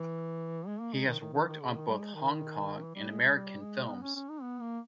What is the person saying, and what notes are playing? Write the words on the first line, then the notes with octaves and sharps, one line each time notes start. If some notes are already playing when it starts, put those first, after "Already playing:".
He has worked on both Hong Kong and American films.
Already playing: E3
G#3
A#3
G#3
D#3
D#3
D#3
D#3
C#3
D#3
G3
G#3
D#3
E3
G3
G#3
G#3
G3
G#3
B3
C#4
C#4
D#4
B3
A#3